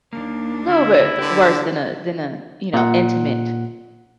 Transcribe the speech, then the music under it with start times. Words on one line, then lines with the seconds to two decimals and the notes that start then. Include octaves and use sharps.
little bit worse than a than a, you know, intimate,
0.13 D#2 A#3 D4
0.68 D3 E4
1.19 D3 G4 B4
2.74 A#2 F#5